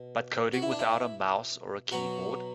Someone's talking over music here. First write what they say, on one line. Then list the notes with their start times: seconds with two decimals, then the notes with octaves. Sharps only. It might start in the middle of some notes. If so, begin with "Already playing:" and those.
But coding without a mouse or a keyboard?
Already playing: B2
0.53 F#4
0.62 E4
0.71 D4
0.79 E4
1.91 B2 F#3 B3 F#4